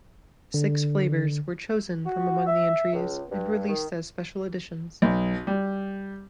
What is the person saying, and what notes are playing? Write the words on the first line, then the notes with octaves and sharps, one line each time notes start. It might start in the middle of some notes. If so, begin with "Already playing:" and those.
Six flavors were chosen from among the entries and released as special editions.
D3
F#4
E5
C#2
G2
D#3
B1
G3